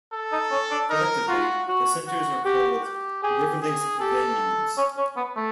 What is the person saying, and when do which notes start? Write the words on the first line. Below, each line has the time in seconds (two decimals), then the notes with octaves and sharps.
Collectively the centres are called "Riverlinks Venues".
0.12 A4
0.32 D#4
0.51 C#4
0.71 D4
0.90 D#4 A#4
1.28 F4 F#4
1.68 F#4
2.07 F#4
2.45 F#4 G4
2.84 G4
3.23 G4 G#4
3.61 G#4
4.00 G4 A4
4.77 C#4
4.97 C#4
5.16 B3
5.36 A3